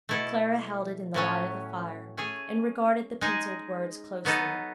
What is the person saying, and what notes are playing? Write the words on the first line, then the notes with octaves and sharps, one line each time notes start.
Clara held it in the light of the fire, and regarded the pencilled words closely.
B2 A3 E4 A4
A2 F#3 A3 C#4
A3 C#4 G#4
G#3 D#4 G#4
F#3 B3 D#4 A4